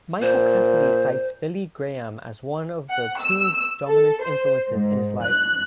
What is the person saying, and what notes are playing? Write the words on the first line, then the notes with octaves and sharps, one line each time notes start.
Michael Cassidy cites Billy Graham as one of two dominant influences in his life.
A#2 C5
F#5
E6
A4
C5
G#2
F#6